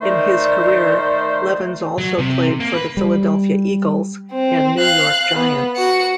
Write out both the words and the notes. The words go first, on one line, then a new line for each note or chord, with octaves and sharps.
In his career, Levens also played for the Philadelphia Eagles and New York Giants.
D#3 A3 C5 D5
F#3
C3
A#3
B4
G3
C4
F5 F#6
B3
F#4 C#7